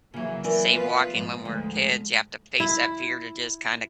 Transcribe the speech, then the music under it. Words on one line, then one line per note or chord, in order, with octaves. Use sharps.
say, walking when we're kids, you have to face that fear to just kinda
C#3 E3 F#3 A#3
E3 A#4 D5
B3 F4 B4
G#2 F3 G#3
D2
E4